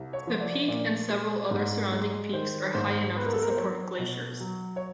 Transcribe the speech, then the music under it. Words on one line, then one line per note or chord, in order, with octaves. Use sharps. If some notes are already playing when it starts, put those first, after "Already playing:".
The peak and several other surrounding peaks are high enough to support glaciers.
Already playing: C2
C#5
F3
D5
A#2 D5
G#3
G#2
G#3
D#3 C5
G#2 C5
B3 B4
A#4
A4
A#4
C5
F#3 C#5
B2
F#3
C#5